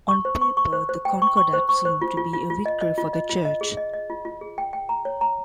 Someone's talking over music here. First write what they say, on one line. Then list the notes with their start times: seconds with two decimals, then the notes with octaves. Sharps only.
On paper the concordat seemed to be a victory for the Church.
0.08 C#6
0.25 C5
0.41 C#6
0.57 C#6
0.73 C5
0.89 C5
1.05 G5
1.22 C#6
1.37 C#6
1.53 C5
1.69 C#6
1.85 C5
2.01 F4
2.17 F4
2.33 F4
2.50 F4
2.66 D#5
2.81 D#5
2.98 F4
3.13 D#5
3.29 F4
3.45 D#5
3.61 G#4
3.77 D#5
3.93 D#5
4.10 F4
4.25 F4
4.41 G#4
4.58 G5
4.73 G5
4.89 A#5
5.05 C#5
5.21 A#5